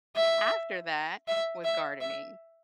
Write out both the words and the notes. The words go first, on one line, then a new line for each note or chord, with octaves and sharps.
after that was gardening,
E5
E5
E5
E5